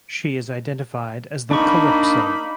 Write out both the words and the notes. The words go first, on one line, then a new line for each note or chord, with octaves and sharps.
She is identified as the "Calypso".
A#3 D4 D#4 B5 C#6